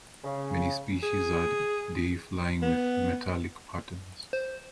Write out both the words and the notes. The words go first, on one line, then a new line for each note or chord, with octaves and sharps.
Many species are day-flying with metallic patterns.
C#3
G#4
B3
C5